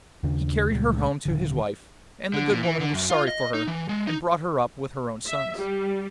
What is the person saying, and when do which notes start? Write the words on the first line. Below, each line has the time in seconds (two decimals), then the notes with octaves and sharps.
He carried her home to his wife, and the good woman was sorry for her, and brought her up with her own sons.
0.23 D#2 C#3 D4
0.70 C#2 A#2 G#3 A3
1.25 D#1 D3
2.34 D3
2.50 A#2
2.63 E3
2.80 D3
2.94 F#2
3.10 F4
3.28 D#5
3.54 D#4
3.67 E3
3.89 G#3
4.07 D#4
5.27 E5
5.58 G3